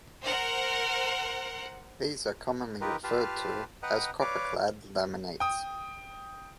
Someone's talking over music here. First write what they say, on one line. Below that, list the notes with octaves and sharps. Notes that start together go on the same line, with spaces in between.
These are commonly referred to as copperclad laminates.
A#4 C5 F#5
D#4 F4 G4 A#4 B4
F4 G4 B4 F5 A5 F6
B4 D#5 F#5 G5 A#5
B4 C#5 D5 F5 D6
G5 D#6